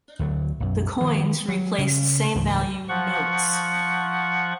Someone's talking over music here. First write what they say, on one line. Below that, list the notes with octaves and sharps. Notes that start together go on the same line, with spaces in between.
The coins replaced same value notes.
D2 D3 F#3
B1 F#2
D#3 F3
F#3
C#3 C4 C#4
C#2 G#2 E3
F3 F#5 C#6